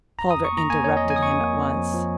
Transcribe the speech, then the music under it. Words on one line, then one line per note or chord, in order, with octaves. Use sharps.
Calder interrupted him at once.
F2 A#5
D#6
F2
C#6
A#3
A#5
A#3 G#5
C#5
F2
D#5
F3
G#5
D#6
F2 C#6
A#3
F2
F3
F3